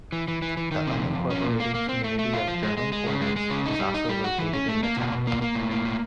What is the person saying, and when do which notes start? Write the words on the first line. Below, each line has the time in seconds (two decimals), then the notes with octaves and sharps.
The unincorporated community of German Corners is also located in the town.
0.12 E3
0.28 E3
0.42 E3
0.57 E3
0.71 D#3
0.87 C3
1.01 F2
1.15 F2
1.30 C#4
1.45 A#2
1.60 A#3
1.75 A#3
1.89 C4
2.04 A3
2.19 A3
2.33 F4
2.48 F3
2.63 G#3
2.77 G#3
2.92 G#3
3.07 C#3
3.21 G#3
3.36 G#3
3.50 C#3
3.66 D#4
3.79 G3
3.94 D#4
4.09 G3
4.24 F#4
4.39 E3
4.53 C#4
4.68 A3
4.83 A#3
4.97 B2
5.12 B2
5.27 A#3
5.42 A#3
5.55 A2
5.71 A#3
5.85 A2